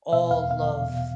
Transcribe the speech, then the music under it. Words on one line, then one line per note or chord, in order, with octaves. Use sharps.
all love
B2 E5
E2 F5
B2 F5
E2
B2